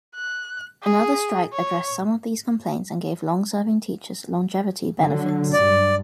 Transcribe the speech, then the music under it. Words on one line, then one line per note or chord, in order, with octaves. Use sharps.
Another strike addressed some of these complaints and gave long-serving teachers longevity benefits.
F#6
G#4
C#5
D3 F#3
G2 D5